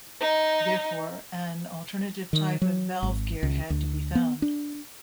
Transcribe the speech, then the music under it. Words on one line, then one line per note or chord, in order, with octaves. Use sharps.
Therefore, an alternative type of valve gear had to be found.
D#4
D#3
F#3
G#1
C#2
D2
B3
D4